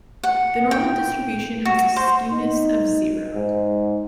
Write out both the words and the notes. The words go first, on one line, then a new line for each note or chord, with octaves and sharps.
The normal distribution has a skewness of zero.
F#5
G5
F#4
C5
D#4
G#2